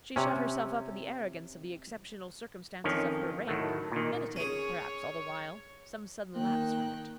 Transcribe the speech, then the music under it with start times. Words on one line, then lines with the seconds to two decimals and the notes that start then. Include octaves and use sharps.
She shut herself up in the arrogance of the exceptional circumstances of her rank, meditating, perhaps, all the while, some sudden lapse from it.
0.16 C3 C#4
2.84 F2 D#3 F3 C#4
3.47 A2 D#3 F#3 A3
3.92 A#2 D#3
4.36 C#4 G#4 C#5
6.36 D#3 A#3 G5 F#6